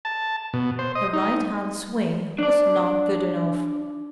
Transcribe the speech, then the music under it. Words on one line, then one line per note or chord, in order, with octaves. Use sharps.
Her right hand swing was not good enough.
A5
B2
C5
D#5
D#4
D4 D5